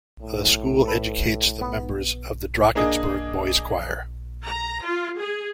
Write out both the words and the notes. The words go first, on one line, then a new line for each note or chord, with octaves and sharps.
The school educates the members of the Drakensberg Boys Choir.
A2
A4 B4
B3
A#3 D4 G#4 D#5
A#5
F4
G#4